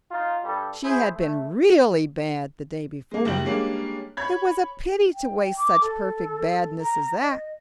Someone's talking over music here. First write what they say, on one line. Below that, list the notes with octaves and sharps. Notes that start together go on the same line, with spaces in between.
She had been really bad the day before; it was a pity to waste such perfect badness as that.
D#4 F4
G2 G3 A4
E4 G#4 C5
A3
G#3 A#3
F#1 G3 G4 F#7
G3 G#3 A#3 C#4 D4
C#5 B5 G#6
G5
D6
A4
A4
A#5
D#5